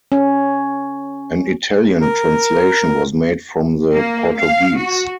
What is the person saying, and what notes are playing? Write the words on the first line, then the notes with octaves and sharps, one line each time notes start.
An Italian translation was made from the Portuguese.
C#4
A#4
A#3
F5
F#4